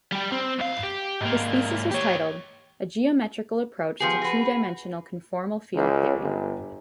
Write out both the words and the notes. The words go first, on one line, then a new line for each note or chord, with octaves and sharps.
His thesis was titled "A Geometrical Approach to Two Dimensional Conformal Field Theory".
G3 G4
C4
B1 F5
G4
G#2 A#3
G4 C#5
F3 B3 G4 G#4
F#4 B4
C#2
G1